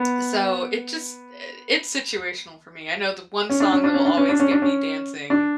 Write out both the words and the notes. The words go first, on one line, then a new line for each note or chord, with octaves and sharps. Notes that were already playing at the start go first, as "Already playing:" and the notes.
so it just eh, it's situational for me. I know the one song that will always get me dancing,
Already playing: B3
C#4
D4
C#4
D4
C#4
D4
C#4
D4
C#4
D4
C#4
D4